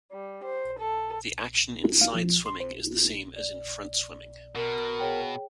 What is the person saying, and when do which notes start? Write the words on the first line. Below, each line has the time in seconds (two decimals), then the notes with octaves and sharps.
The action in side swimming is the same as in front swimming.
0.12 G3
0.44 C5
0.78 A4
2.01 F5
2.15 F3
2.46 C6
2.60 C5
3.36 D5
4.55 B2 A#4
4.99 G#4 C#5 G5